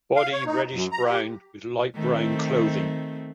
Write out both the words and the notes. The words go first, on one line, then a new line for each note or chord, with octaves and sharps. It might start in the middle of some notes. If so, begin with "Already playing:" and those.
Body reddish brown with light brown clothing.
F5
C#5
D#4
F#2
A#5
G4
D#3 A3 C4